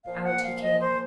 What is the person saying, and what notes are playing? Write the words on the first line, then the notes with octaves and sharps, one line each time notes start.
Out he came.
A#2 F3 A#3 F5
F#5
F5
D#5
C5